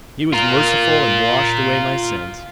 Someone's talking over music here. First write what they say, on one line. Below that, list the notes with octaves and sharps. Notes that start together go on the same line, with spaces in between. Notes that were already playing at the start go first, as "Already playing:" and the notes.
He was merciful and washed away my sins.
F4 A#4